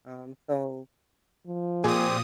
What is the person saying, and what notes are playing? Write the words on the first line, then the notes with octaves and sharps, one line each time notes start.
um so,
F3
A#2 C4 G4 G#4 D#6